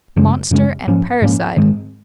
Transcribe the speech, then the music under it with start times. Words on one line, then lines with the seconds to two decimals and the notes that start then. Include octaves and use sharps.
Monster and parricide!
0.16 F#2 C#3 G#3 C#4
0.51 F#2 C#3 G#3 C#4
0.87 G#2 F3 A#3 C#4
1.22 G#2 F3 A#3 C#4
1.57 G#2 D#3 G#3 C4